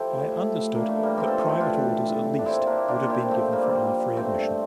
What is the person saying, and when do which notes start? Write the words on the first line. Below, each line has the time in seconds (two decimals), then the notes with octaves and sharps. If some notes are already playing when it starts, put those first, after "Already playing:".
I understood, that private orders, at least, would have been given for our free admission.
Already playing: F3 E4 G4 A4
0.10 A2
0.32 A2
0.53 A2
0.74 A2 A#3 D4
0.88 A3
0.96 E3
1.03 G3 A#3
1.17 A2 A3 C4
1.28 F4 A4
1.39 E3 F4 A4
1.49 E4 G4
1.60 A2 D4 F4
1.81 A2
2.03 A2
2.24 A2
2.39 D4
2.45 A#2 C4 E4
2.67 A#2 A#3 D4
2.88 A#2 A#3 D4
3.02 F4
3.10 A#2 E4 G4
3.20 A3 C4
3.31 F3 A3 C4
3.52 F3 G3 A#3
3.74 F3
3.95 A#2
4.16 G2 A3 C4
4.38 G2